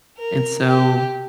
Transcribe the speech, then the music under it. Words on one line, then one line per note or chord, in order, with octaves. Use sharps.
And so,
A#4
G4